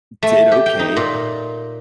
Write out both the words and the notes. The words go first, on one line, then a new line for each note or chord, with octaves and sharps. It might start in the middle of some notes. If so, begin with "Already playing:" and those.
did okay.
A3
G4
G5
D#4
A#2